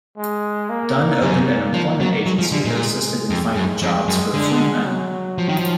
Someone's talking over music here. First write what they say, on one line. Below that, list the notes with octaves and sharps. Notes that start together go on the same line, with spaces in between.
Dunn opened an employment agency that assisted in finding jobs for the freedmen.
G#3
A#3
F#2 A#3
F3
F#3
F#3 G#3
F3
D3
A#2
F2
F#2
F2 G#3
F#2
D3
F#3
F3
D#3
F3